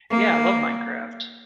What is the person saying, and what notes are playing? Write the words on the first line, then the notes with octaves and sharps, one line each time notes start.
Yeah, I love Minecraft.
A#3